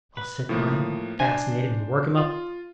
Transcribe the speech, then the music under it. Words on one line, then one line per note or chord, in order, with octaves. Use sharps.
I'll sit by him, fascinate him and work him up.
B4
A2 F3 A#3
D4 C5 G#5
F4